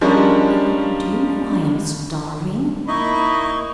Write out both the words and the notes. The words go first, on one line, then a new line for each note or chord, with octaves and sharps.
Philip, do you know I am starving?
F3 G3 G#3 C#4 D4 A#4
A#3 D#4 E4 D#5 B5 C#6